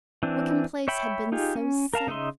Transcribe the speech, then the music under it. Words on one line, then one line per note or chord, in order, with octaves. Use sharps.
Wickham Place had been so safe.
E3 C4 D4
C#5 E5 G5 B5
D#4 F4 G4 G#4
C#4
A#4 F5 A5 A#5
C#3 D#4 D#5 E5 C6